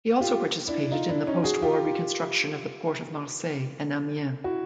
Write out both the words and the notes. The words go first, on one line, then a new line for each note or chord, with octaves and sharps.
He also participated in the postwar reconstruction of the port of Marseille and Amiens.
F4 G4
D4 E4
D#4 F4
D4 E4
C#4 D#4
F#4 G#4
F4 G4
E4 F#4